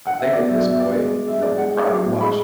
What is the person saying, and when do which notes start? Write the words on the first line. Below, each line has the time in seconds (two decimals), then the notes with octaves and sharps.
I think at this point, you know, we've probably watched
0.07 F#5
0.20 E5
0.33 B2 D5
0.48 F#3 E5
0.58 D5
0.64 B2 E5
0.80 B2 D5
0.96 G#3
1.11 G#3
1.27 G#3 E5
1.42 G#3 D5
1.58 G#3 F#5
1.75 G#3
1.89 F#3 D6
2.05 A2
2.21 G#3 B5